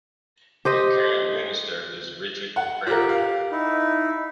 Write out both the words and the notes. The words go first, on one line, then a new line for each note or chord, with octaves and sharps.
The current Minister is Richard Ferrand.
G4 C5 D#5
F#5
F4 G4 A#4
F5
D#4 E4